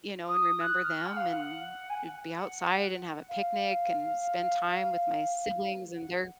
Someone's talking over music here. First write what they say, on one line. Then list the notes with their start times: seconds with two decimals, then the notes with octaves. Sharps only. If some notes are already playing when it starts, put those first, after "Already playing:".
you know, and remember them and, eh be outside and have a picnic and spend time with my siblings and their
0.28 D#6
0.60 F#6
0.83 F6
1.06 F#5
1.17 F5
1.29 F#5
1.90 G#5
1.94 F#5
3.29 F5
5.95 F#5